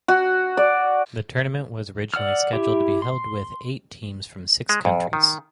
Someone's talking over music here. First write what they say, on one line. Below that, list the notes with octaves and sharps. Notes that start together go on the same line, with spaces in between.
The tournament was originally scheduled to be held with eight teams from six countries.
F#4
D5
D5 F#5 E6 F6
E4 G4 E5
C6
G#3
F2
D#3